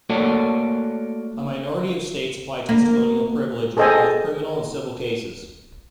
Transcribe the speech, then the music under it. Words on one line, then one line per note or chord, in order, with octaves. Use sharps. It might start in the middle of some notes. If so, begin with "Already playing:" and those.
A minority of states apply testimonial privilege in both criminal and civil cases.
A3 A#3 F#4 A4 C#5 D5
A#3
G#4 A4 C5 D#5 G5 G#5